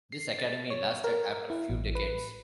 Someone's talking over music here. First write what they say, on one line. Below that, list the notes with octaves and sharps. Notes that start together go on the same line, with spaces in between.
This academy lasted after few decades.
C7
A6
C#5
A#4
E4
A1
B4